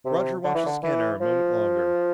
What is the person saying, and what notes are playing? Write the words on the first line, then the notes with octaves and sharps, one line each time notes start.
Roger watched the scanner a moment longer.
C3
D3
E3
D3
E3
F3